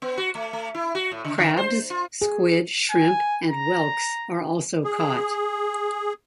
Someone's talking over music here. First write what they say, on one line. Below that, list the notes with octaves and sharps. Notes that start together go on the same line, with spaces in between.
Crabs, squid, shrimp, and whelks are also caught.
B3
F#4
A3
A3
E4
F#4
A2
C#3
D3
C5
F4
G#4
G#5
A#5
G#4